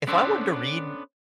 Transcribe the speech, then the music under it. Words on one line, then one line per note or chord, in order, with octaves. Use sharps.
If I wanted to read,
B3 C#4 D4 A4 C5